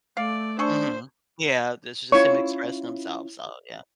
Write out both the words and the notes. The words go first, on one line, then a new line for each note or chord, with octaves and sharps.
Mhm. Yeah, this is just him expressing himself, so yeah.
A3 D5 F5
D4 G#4 A4 C5 C#6
C#4 E4 F4 C#5 C#6